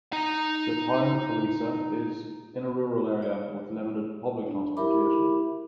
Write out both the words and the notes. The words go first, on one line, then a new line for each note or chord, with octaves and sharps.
The town of Pallisa is in a rural area with limited public transportation.
D#4 A#5
C#5
D4
E4 G4 A#4 E5 B5 D6